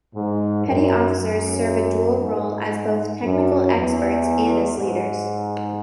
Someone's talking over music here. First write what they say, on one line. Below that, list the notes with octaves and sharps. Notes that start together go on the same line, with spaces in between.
Petty officers serve a dual role as both technical experts and as leaders.
G#2
F#2
F#2
G#2
F#2
E2
G#2